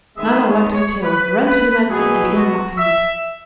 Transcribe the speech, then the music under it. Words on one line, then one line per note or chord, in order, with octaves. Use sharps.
Nana wagged her tail, ran to the medicine, and began lapping it.
D#3 G#3 B3 E5
C#5
C#5
B4
B4
B2 F#3 B3 G#4
F#4
E5